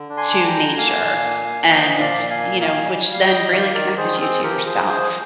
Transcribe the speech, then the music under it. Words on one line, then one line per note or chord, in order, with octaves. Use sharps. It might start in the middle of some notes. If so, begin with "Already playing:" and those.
to nature and you know, which then really connected you to yourself.
Already playing: D3
D4
G#5 C6
D3
G5 A#5
D3
A#3 F5 G#5
A#2
A#3
A#3
F3 D#5 G5
A#2
D5 F5
A#2
F5 G#5
A#3
D#3 F5 G#5
G3
G3
F5
D#5 G5
G3
D#3 D5 F5
D#3 A#4 D5
D#3 G#4 C5
C4 G#4 C5
F3 G4 A#4
F3 G#4 C5
F3 G#4 C5